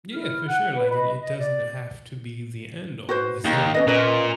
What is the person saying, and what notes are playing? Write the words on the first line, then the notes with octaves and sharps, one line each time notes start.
Yeah. For sure. Like, it it doesn't have to be the end all the time.
E4 F6
F#5 F#6
B4
B4 D#5 B5
D#5
D5
F#4 B4 C5
D#2 D#4 G4
C#4 B4 D#5
A#2 C#4 B4 D#5